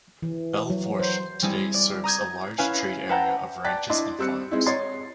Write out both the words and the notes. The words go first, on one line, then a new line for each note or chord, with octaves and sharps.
Belle Fourche today serves a large trade area of ranches and farms.
E3
F#3
C5
G3 C4 E4 G#4
D5
A#5 D#6 G6 G#6
C#4 E4 B4 E5 F5 G#5
B4 E5 F#5 G5 A5 A#5
D5 G5 A5 F#6 A6 B6
D4 E4 D#5 C6
G3 C4 E6 F#6 C#7
G#3 C4 D#4 E4
C#5 D#5 C6 A6 C7